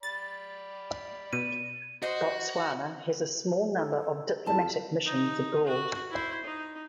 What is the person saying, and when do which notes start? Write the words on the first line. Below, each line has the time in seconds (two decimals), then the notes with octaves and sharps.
Botswana has a small number of diplomatic missions abroad.
0.03 D5 B5 A6
1.33 B2 D#7
2.02 F#4 C5 D#5
3.74 A4
4.46 F2 E4 A5
5.05 D#4
5.66 F#4
6.10 E4 C5
6.44 D#4